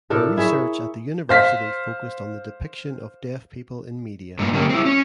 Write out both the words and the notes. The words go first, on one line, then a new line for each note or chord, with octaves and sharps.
Her research at the university focused on the depiction of deaf people in media.
A2 D4 A4 A#4
E4 G#4 C#5 E5
C5 F5 B6
G2 A#2 D4
D3 F#3 A#3 C#4 G4
C4 E4
C#4